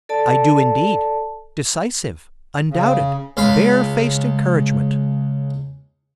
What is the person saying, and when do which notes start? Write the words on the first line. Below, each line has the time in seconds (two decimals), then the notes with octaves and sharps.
'I do indeed--decisive, undoubted, bare-faced encouragement.'
0.09 A4 D5 A5
2.71 C#3
3.37 C#2 F5 B5